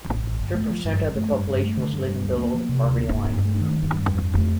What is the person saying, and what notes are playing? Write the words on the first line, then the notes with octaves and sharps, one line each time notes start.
Three percent of the population was living below the poverty line.
A1
A1
G1
A3
F3
G2
G1
A3
G2
G2
A3
D3
G2
G2
D2
A#3
F3
C3
D2
A#3
G2
G2
A3
D#3
G2
G2
F2
F2
A3